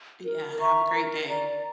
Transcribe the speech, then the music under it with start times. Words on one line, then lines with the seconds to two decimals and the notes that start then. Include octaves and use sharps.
Yeah, have a great day.
0.23 A#4
0.58 E5 A#5 C#6
0.93 A#4
1.28 D5 A#5